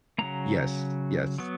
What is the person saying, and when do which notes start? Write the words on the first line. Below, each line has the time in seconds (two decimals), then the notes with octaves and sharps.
Yes, yes.
0.18 C#3 F#3 A#3 A#5
1.38 F#3 B3